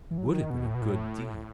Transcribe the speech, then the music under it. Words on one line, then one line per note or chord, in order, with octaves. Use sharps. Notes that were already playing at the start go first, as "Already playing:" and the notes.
It would have been a good deal.
E3
F#3
E3
D#3
B2
A2
B2
A2